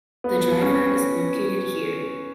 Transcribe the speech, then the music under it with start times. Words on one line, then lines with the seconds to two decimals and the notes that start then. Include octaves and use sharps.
The driver is located here.
0.24 B3
0.62 C#4